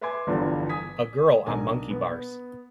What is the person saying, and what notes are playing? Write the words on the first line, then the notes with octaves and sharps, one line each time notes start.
A girl on monkey bars.
B4 E5 G#5 C6 D6 G#6
G1 E2 G2 D3 F3 D5
G#5 D#6 G#6 B6
B1 D4 A#4 G#5
B3